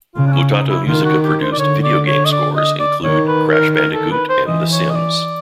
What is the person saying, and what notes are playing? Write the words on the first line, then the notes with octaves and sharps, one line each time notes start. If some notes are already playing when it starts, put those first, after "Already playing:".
Mutato Muzika-produced video game scores include "Crash Bandicoot" and "The Sims".
C#3 F4
D4
C#4
D#4
E4
D#3 F4
F#4
G4
C5
D5
D3 C#5
D5
C#5
D#5
D5
D#5
D5
D#3 C#5
B4
A#4
A#4
A4
B4
C5
E3 D#5
C#5
D#5
D5